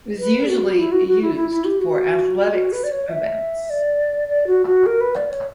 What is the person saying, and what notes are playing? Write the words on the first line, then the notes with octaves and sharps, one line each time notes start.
It is usually used for athletics events.
B4
F#4
E4
F#4
F#4
E4
E4
E4
G4
F#4
F#4
B4
D5
C#5
E5
D5
D5
F#4
F#4
A#4
B4
D5
C#5